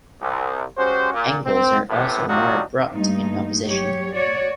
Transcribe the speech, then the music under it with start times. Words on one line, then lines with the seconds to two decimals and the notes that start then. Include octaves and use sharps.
Angles are also more abrupt in composition.
0.21 C2
0.77 G#3 C#4 F#4 G4 C5
1.14 A#2
1.46 C4
1.90 A1 A2 C3 E3 B3
2.28 F#3 G3 D4 D#4 F4 F#4
2.94 G2 A3 A#3 D#4
3.66 F#3 G4 C#5
4.14 F#4 C#5 D5